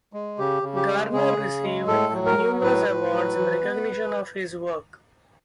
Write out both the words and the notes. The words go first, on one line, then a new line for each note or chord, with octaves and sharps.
Garner received numerous awards in recognition of his work.
G#3
C#3 G4
C#3
G4
G#3
C#3 G#4
C#3
G#3
A2 A4
F#3
A#4
F#3
A2 B4
A2
F#3
E3
B3